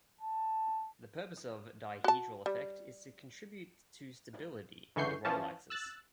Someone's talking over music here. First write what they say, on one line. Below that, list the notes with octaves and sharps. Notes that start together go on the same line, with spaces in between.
The purpose of dihedral effect is to contribute to stability in the roll axis.
A5
F#4 A5
G3
C#2 D3 E3 C#6 G6 C7
E3 F3 C#4 A5
E6 F#6 A6